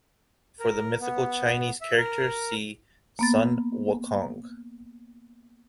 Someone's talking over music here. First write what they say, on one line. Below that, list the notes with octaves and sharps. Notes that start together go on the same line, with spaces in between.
For the mythical Chinese character, see Sun Wukong.
A#4
B3
E5
A#4
A#3 B3 A6